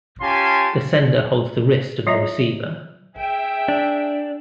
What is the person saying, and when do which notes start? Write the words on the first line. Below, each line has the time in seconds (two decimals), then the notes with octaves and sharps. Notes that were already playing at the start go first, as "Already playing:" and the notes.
The sender holds the wrist of the receiver.
0.22 C#4 F4 G4 G#5 A5 C6
2.07 F#3 F4 D#5 E5 A#5
3.17 G#4 E5 G5
3.68 D4